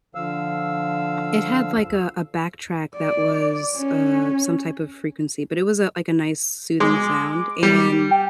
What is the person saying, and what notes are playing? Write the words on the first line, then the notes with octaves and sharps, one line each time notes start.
It had, like, a a backtrack that was, uh, some type of frequency, but it was a like, a nice soothing sound. And
D3 F3 F5 E6
D5
C#4
G#3 D6
G3
G5